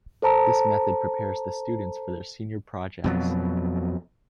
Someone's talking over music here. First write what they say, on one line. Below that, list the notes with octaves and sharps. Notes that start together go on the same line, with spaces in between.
This method prepares the students for their senior projects.
A4 C5 A5 A#5
F2 B2 F#3